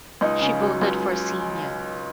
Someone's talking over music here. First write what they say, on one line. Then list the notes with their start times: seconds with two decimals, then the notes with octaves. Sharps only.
She voted for Xenia.
0.21 C#2 D#4
0.41 C#3
0.62 F#3
0.82 C#2